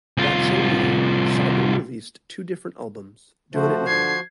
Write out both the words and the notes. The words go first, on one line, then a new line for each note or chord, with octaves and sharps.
That same year, Sybil released two different albums: Doin' It Now!
C2 F4
F3 A3 F#4 C5
D3 G#6 C7